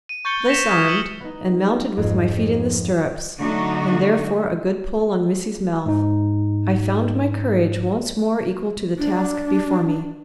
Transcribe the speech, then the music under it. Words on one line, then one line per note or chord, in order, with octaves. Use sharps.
Thus armed, and mounted with my feet in the stirrups, and therefore a good pull on Missy's mouth, I found my courage once more equal to the task before me.
D#7
C#6 G6 A6 C#7 G7
A#6 B6 C#7 E7 F7
D#6 F6 G#6 B6 E7
E6 A#6 C#7 D#7 F#7 G7
B3 D#4
F2 G#2
D3 F#3 A3 D4 D#4 F#4
G#2 D#4
D4